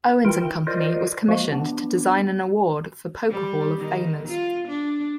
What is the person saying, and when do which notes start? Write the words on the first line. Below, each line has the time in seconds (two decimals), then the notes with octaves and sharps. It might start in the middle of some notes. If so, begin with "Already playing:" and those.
Owens and Company was commissioned to design an award for Poker Hall of Famers.
0.25 E3 E4 F4 A#4 G5
0.67 F4 A#4 C5 D5 D#5
1.29 F3 G#3 A#3 F#4
1.52 B3 D4
3.30 G3
3.78 D#3
4.28 F4
4.68 D4